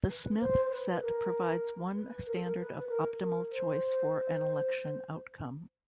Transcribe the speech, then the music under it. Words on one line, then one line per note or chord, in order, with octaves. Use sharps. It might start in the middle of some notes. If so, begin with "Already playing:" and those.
The Smith set provides one standard of optimal choice for an election outcome.
B4
C5
C5
B4
A4
A#4
B4
A#4
A4
A#4
B4
B4
A#4
A#4
C5